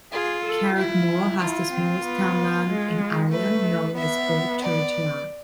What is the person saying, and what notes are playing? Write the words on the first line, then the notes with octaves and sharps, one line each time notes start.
Carrickmore has the smallest townland in Ireland known as Old Church Yard.
F4 G#4
A4
E4 F4
E4 F4
C4
B3
G#3
A3 B4
B3 E5
D5